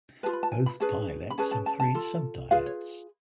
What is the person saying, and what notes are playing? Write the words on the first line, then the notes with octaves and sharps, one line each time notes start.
Both dialects have three subdialects.
F4 G#4 B4 A5
B5
A5
G#5
B5
C#4 G#4 B4 A5
B5
C#4 G#4 B4 A5
A5
A5
A5
F4 A4
F4 G#4 B4 F5
C#5